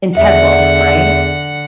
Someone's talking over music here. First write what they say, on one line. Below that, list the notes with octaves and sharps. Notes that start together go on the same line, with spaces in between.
integral, right?
E2 D3 E5 F#5